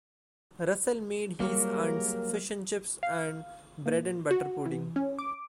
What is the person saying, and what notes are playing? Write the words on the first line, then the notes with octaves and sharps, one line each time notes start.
Russell made his Aunt's Fish and Chips and Bread and Butter pudding.
F#3 G3 A#3 G4 G#4 A#4
F5
A#2
F#4
E3
C#4
D6